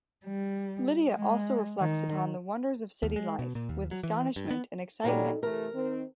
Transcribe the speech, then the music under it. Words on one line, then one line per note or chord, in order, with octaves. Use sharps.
Lydia also reflects upon the wonders of city life, with astonishment and excitement.
G3
G#3
D#3
D#2
G#3
B2
A#2
D#2
F#3
E3
G2
B3
A#2 F#3 G3 D#4 A4
C3 E3 A3 A#4
D#3 C4